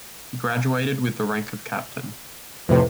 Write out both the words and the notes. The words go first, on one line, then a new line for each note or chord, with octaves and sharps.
He graduated with the rank of captain.
F2 A2 C3 B4